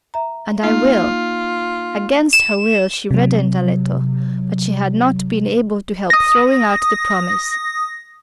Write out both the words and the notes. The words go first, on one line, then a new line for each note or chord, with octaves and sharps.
"And I will." Against her will she reddened a little; but she had not been able to help throwing out the promise.
E5 A#5
A#3 D#4 F4
E7
C3 F#3
D#6 A#6